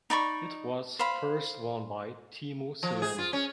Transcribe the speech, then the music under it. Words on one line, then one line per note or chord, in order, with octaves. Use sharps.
It was first won by Teemu Selanne.
D#4 D5 B5 C#6
C5 F5 B5
F3
G#4
F4
C#4